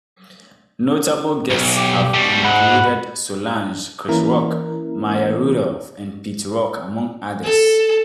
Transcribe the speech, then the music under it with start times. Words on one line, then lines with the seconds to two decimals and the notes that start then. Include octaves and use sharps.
Notable guests have included Solange, Chris Rock, Maya Rudolph, and Pete Rock, among others.
1.51 B1
1.76 G4
2.14 B2 G3
2.44 G#2 F#5 B5
4.08 E3 A#3 C#4 E4 A#4
7.44 A4